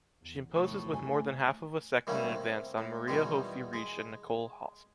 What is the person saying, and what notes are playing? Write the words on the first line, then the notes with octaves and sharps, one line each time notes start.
She imposes with more than half of a second in advance on Maria Hofi-Riesch and Nicole Hosp.
E2
E2 A2 C3 D#3 C#6 D#6
A3 G#5
D#3 G3 A3 A#3 C#4 E4
C3
A2
E2 B2 D#3 G3 G#3
G#3